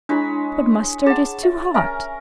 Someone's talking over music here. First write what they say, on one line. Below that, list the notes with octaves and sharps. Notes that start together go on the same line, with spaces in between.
"But mustard is too hot."
G#3 D4 E4 C#5 B5
G#4 F#5 A5
E5
C#4 A#4 E5 G#5